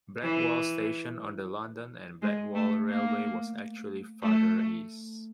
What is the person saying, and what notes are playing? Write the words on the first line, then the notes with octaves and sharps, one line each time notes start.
Blackwall station on the London and Blackwall Railway was actually farther east.
E3
G#3
A3
A#3
A3